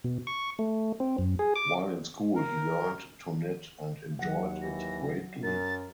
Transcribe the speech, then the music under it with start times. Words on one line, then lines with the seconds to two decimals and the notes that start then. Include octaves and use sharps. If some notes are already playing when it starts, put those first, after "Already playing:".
While in school he learned to knit and enjoyed it greatly.
0.04 B2
0.27 C#6
0.59 A3
1.00 C4
1.18 F#2
1.39 G#4
1.56 D6
2.36 A#4
4.19 D#2 F#3 F#5
4.62 E3 A#6
5.43 F#2 A#4 A6